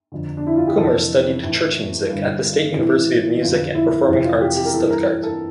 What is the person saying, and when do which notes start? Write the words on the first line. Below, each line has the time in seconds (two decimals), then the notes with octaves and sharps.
Kummer studied Church music at the State University of Music and Performing Arts Stuttgart.
0.12 F2 D3
0.37 D4
0.47 E4
0.57 F4
0.67 G4
0.78 F2 C3 E3 A4
1.43 A2 E3
2.09 G2 D3
2.75 A2 E3
3.42 F2 D3 F4
3.74 E4
4.07 F2 C3 E3 E4
4.24 F4
4.41 G4
4.56 G4
4.65 A#4
4.73 E3 A4
4.77 G2
4.90 A#4
5.07 A#4
5.23 A4